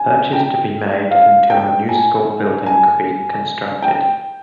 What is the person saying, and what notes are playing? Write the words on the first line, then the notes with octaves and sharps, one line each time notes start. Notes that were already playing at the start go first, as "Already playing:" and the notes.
Purchase to be made, until a new school building could be constructed.
Already playing: G#5
G5
F5
G5
G#5
G#5
G5